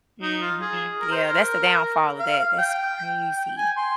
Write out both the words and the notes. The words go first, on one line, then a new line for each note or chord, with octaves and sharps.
Mhm. Yeah, that's the downfall of that. That's crazy.
D#4
F4
G#4
A#4
C5
A#4
F5
G5
G5
G#5
C6